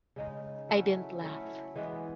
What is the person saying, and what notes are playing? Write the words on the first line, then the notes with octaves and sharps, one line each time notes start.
I didn’t laugh.
C#3 G#3 D#4
F#3 A3 C#4 E4
F#3 A3 C#4 E4
E3 G#3 B3